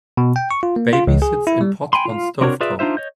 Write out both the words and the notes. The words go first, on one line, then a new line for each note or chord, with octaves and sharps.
Baby sits in pot on stove top.
B2
G5
C#6
F4
A#3
F4
C#2
G#4
E4
G3
G5 G#5 B5 C6
F4 F5
C4 D4 F#4 A#4 C#5
F4 G#4 B4 D5 E5
D4 D#4 F4 C5 E5
C#5 D#5 G6